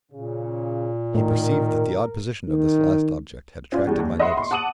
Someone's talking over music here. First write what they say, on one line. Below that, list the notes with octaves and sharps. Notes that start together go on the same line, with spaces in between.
He perceived that the odd position of this last object had attracted my notice.
A#2 C#3
A2 D#3 A#4
D#3
C#4 F4 D5
E2 G3
D#2
D#5 E5 F#5 B5 C6
C6 C#6
F#5 A5 D6 D#6 D#7 F#7